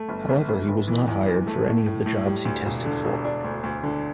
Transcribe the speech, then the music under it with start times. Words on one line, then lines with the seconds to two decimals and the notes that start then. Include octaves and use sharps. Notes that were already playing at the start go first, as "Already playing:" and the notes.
However he was not hired for any of the jobs he tested for.
Already playing: A3
0.09 G1
0.29 G1
0.49 G1
0.68 G1
0.88 E3
1.07 E2
1.28 E2
1.47 A3
1.67 A2
1.86 A2
2.06 A2
2.26 G3
2.45 D2
2.66 E1
2.85 D3
3.05 E1
3.24 D4
3.44 D2
3.63 D2
3.84 D3